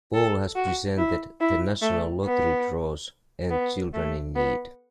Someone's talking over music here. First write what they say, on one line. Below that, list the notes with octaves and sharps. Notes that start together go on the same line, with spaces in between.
Ball has presented "The National Lottery Draws" and "Children in Need".
A4
F#4
E4
E4
A3
B3
B3
A3
B3